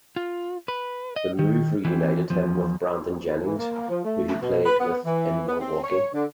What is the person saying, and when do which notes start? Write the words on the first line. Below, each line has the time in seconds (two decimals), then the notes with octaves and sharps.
The move reunited him with Brandon Jennings, who he played with in Milwaukee.
0.16 F4
0.68 B4
1.16 D#5
1.39 D#3
1.85 E3 C4
2.30 E2 F3
3.45 E3
3.58 A#3
3.89 F3
4.04 A3
4.41 B2
4.65 B4
4.79 B3
5.05 E3
5.48 B3
5.60 C4
5.83 C#5
6.13 D3